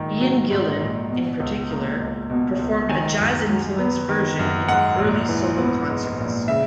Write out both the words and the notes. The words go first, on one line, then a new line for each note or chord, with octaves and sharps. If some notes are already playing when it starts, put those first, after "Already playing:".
Ian Gillan in particular performed a jazz-influenced version in early solo concerts.
Already playing: A#1 G#2 D#3
F#3
G#2
A#1
B2
C#2
A#3
C#2
B2
C#2
D#3 G#5
F#2
F#3
B3
D#3
F#2
G#2 F#5
A#1
E3
B3
G#2
A#1
C#3 E5